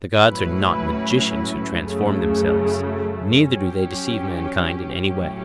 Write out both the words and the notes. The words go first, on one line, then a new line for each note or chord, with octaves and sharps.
The gods are not magicians who transform themselves, neither do they deceive mankind in any way.
A2 F#3 C#4 E4 B4
F#2 C#3 F#3 A3
F#3 C#4 G4
A2 F#3 C#4 G4